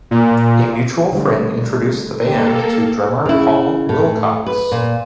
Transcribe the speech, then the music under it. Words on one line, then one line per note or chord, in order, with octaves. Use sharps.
A mutual friend introduced the band to drummer Paul Wilcox.
A#2
D3 G3 A3
A#3 G4 A4
C#3 E4
A2
B4
A#2